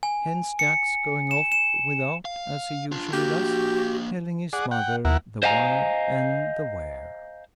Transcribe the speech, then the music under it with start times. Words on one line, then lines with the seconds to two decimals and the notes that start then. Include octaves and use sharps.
Hence, Jack's going off, without, as he usually does, telling his mother the why and the where.
0.03 G#5
0.59 C#7
1.31 E7
1.52 E7
2.25 F5
2.92 D4 F4
3.13 A#3 D4 F#4 G4
4.53 G#4 D5 F#5
4.71 F#5 G5
5.05 D#2 E4 A#4 F#5
5.43 C5 D#5 F5 G#5 A#5